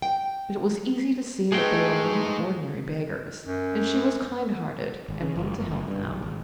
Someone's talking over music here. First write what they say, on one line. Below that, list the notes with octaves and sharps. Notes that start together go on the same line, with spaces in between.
But it was easy to see that they were not ordinary beggars, and she was kind-hearted and wanted to help them.
G5
G#3 A3 B3 D#4 G#4 G5
F#2
G#1
C#3
F#1
G1
F#1
G2
B1
G#1